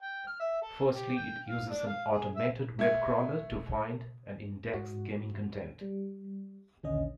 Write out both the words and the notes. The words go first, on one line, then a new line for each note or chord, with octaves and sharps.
Firstly it uses an automated web crawler to find and index gaming content.
G5
F6
E5
A4
G4
G5
F5
D4
F5
G#4
E5
A3 G#6
G#2 F#4
G3
A#1 D#2 D3 C#4 D#5